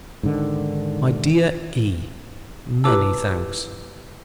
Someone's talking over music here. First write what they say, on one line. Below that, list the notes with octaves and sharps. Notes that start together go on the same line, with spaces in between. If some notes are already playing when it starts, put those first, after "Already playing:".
'MY DEAR E.--Many thanks.
G#2 D3 D#3
E4 G4 B4 A5 D6 E6